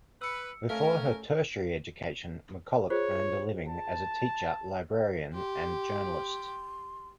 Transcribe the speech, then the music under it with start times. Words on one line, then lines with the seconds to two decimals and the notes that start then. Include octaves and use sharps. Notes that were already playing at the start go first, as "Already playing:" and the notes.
Before her tertiary education, McCullough earned a living as a teacher, librarian and journalist.
0.22 B4 E6 C#7
0.70 A3 C#4 A#4 F5
2.90 F4 G#4 C5 C#5
3.68 A5
5.34 G4 C6